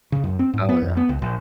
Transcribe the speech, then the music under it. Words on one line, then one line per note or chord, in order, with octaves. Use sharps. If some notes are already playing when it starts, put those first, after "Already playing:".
Oh, yeah.
C#3
F#2
C4
G#2
B3
F2
B3
C#2
A#1